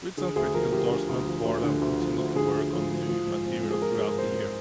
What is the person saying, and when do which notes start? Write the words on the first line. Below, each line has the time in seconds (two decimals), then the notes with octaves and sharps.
With some critical endorsement Borland continued to work on new material throughout the year.
0.17 D3 G#4
0.36 D2 G#4
0.54 F3 A#4
0.73 D2 G4
0.91 D3
1.09 D2
1.27 F3
1.45 D2
1.64 D3
1.82 D2
2.00 F3
2.18 D2
2.36 D3 G#4
2.55 D2
2.73 F3
2.91 D2
3.09 F3
3.27 G#2
3.45 C4
3.63 G#2
3.71 G#4
3.82 F3 A#4
3.99 G#2 G#4
4.09 A#4
4.18 C4 C5